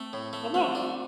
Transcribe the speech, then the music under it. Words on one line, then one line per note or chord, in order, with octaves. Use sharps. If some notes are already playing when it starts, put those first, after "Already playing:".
oh, no.
Already playing: A3 C4
A2
A3
A3 C4
D4